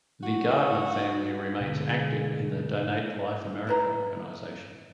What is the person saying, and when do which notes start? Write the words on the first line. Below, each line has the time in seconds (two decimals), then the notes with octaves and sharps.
The Gardner family remains active in the Donate Life America organization.
0.23 F#4
1.61 B2 D3 G#3
3.67 E4 B4 A#5